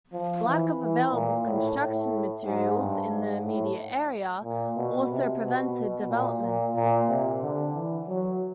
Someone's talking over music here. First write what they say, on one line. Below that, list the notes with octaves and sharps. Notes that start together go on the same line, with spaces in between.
Lack of available construction materials in the immediate area also prevented development.
F3
E3
E3
A#2
A2
A2
G#2
G2
G#2
A2
A#2
B2
C3
B2
B2
A#2
A#2
A#2
C3
D3
E3
F#3